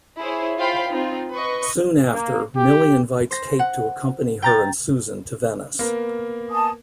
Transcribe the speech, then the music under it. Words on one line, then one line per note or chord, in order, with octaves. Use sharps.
Soon after Milly invites Kate to accompany her and Susan to Venice.
E4 G#4 C5 C#5
F4 C5 F5 G5 B5
C4 D#4 F4
B4 D#5 C#6
A#3
G4
C5 A#6
F#5
G5 A#5 A6
A#3 B3 A#4
G#5 A5 D#6